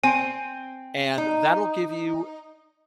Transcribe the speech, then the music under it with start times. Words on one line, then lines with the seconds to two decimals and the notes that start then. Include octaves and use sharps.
and that'll give you"
0.04 C4 G#5 D7
1.18 D#4